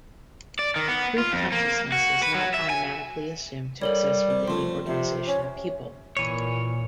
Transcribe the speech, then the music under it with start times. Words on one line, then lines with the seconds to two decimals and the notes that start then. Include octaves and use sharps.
Group consciousness is not automatically assumed to exist with any organization of people.
0.59 D5
0.76 D#3
0.88 B3
1.18 F4
1.33 F2
1.52 A#3
1.92 F#4
2.23 B4
2.35 F#3
2.54 E5
2.70 G#5
3.82 G3 A4 A#4 C#5
4.30 C3
4.48 F2 A3 C6
4.87 C3 F3
5.27 C#4 C#5
6.17 A#2 E3 C#5